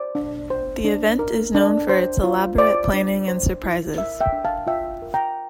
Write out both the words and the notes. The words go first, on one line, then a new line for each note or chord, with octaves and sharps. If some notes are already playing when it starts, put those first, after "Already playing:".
The event is known for its elaborate planning and surprises.
Already playing: C5 D5
D4
C5
D4
A#4
D4
C5
F4
C5 D5
D4
C5
E4
A#4 E5
E5 G5
D4
F5 A5
F4 E5 G5
A#4
G5 A#5